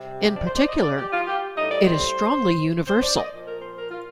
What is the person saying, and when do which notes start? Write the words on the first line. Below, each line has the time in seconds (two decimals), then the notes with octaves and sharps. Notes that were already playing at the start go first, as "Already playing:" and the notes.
In particular, it is strongly universal.
Already playing: C3 G3
0.24 G4
0.36 D5
0.47 C5
0.57 D5
0.69 D#5
0.83 D5
0.98 G4
1.13 F4
1.27 G4
1.56 A2 G3 D#5
1.71 D5
1.86 C5
2.88 C5
3.03 D5
3.17 D#5
3.31 A#2 F3
3.46 A#4
3.61 C5
3.76 A#4
3.91 F4